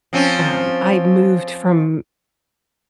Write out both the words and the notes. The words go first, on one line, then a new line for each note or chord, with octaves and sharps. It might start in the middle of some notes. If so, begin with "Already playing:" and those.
Um, I moved from
F3 C4 C#4